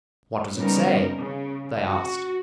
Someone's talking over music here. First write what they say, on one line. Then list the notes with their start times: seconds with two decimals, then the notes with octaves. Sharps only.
"What does it say?" they asked.
0.56 C#3 G3 B3 C#4 D#4 A#4
1.16 C#3
1.87 F#4